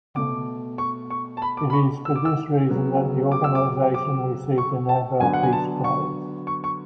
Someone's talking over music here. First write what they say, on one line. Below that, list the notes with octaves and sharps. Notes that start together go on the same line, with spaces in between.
It is for this reason that the organization received the Nobel Peace Prize.
B2 A3 D6
C#6
C#6
A5
B5
D6
B5
C#6
E6
D6
E6
C#3 F#3 B3
D6
E6
D6
D6
C#6
A5
D3 F#3 B3 G#5
F#5
G#5
A5
C#6
C#6
C#6